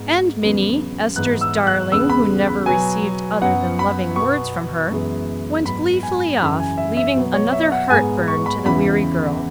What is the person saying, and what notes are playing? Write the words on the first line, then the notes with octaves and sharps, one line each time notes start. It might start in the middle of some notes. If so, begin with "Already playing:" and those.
And Minnie--Ester's darling, who never received other than loving words from her--went gleefully off, leaving another heartburn to the weary girl.
Already playing: G#2 G#3 B3
E2 C#3 F#3 B3
G#2 E3 B3 F#6
E6
F#6
E2 C#3 G#3 B3 E6
B5
B5
B2 F#3 B3 G#5
F#2 F#3 B3 F#5
B5
B2 B3 C#6
F#2 E3 G#3 B3
G#2 F#3 B3 B5
G#5
F#2 C#3 E3 B5
G#5
E5
E5
B2 F#3 B3
C#5
E5
F#5
G#2 G#3 B3 G#5
C#6
B5
E2 C#3 E3 B5